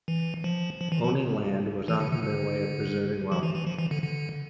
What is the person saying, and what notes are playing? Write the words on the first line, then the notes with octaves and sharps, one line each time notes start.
Owning land was often their way of preserving wealth.
E3
F3
F3
E3
F3
E3
D3
D3
D3
F3
E3
E3
F3
E3
D3
D3